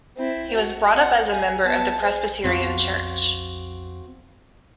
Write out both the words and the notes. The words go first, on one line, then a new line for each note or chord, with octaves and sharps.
He was brought up as a member of the Presbyterian church.
C4 E4
F#4
C4 F#5
G#5
B3 A5
G#4 C5
F2 C4 F#4 F5